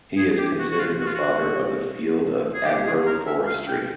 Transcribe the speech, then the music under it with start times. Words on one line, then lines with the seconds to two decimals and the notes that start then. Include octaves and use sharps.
He is considered the father of the field of Agroforestry.
0.17 G#4
0.38 G4
0.59 F#4
0.70 F#4
0.79 F4
1.00 F#4
1.07 F4
1.14 F#4
2.54 G#4
2.65 G4
2.85 G#4
3.06 A#4
3.26 E5
3.47 F5
3.67 G5